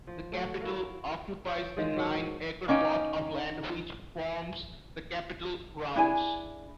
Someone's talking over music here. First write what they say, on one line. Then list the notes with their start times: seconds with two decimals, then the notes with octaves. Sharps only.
The capitol occupies a nine acre plot of land which forms the capitol grounds.
0.07 F3
0.32 F#3 A3
0.61 E4 F#4 A#4 F5
1.46 C#5 E5 F5 G5
1.76 D#3 G#3 F4 G#4
1.96 G#2 F#3
2.68 A#3 C#4 D#4 G5
5.96 D4 E4 G#4 G#5